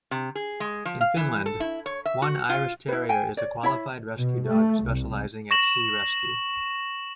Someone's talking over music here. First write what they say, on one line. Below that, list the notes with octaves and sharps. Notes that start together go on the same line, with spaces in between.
In Finland one Irish Terrier is a qualified Rescue Dog specialising at Sea Rescue.
C3
G#4
G#3
F3
F5
E3
A4
E4
C#5
E5
F#4
F4
E4 B4
G5 G#5
C#5 D5
E4 C#5 E5 B5
B2
A3
C2
C#6 A#6 E7 F#7